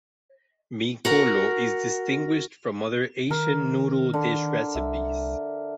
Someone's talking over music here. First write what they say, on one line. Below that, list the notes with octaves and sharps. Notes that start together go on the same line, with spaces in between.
Mee kolo is distinguished from other Asian noodle dish recipes.
F#4 A#4 F#5
D#3 A#4
D3
C2 E5